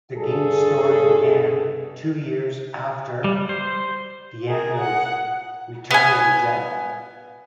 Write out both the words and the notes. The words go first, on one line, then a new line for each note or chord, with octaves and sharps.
The game's story began two years after the end of "Return of the Jedi".
G2 G#4 A4
G3
C5
G#4 A#4
F#5
B3 G#5